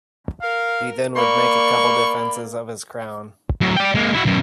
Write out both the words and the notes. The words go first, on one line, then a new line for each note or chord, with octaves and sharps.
He then would make a couple defenses of his crown.
A#4 F5
A#3 D5 B5 C#6
A2 F#3
D5 G5
G#3 A#3
E4 F#4
F#2 B2